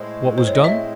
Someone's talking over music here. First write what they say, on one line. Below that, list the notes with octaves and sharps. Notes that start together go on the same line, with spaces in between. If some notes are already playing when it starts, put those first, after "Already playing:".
What was done?
Already playing: A2 G#3 C4 D#5
C5
C#5
D#5
E5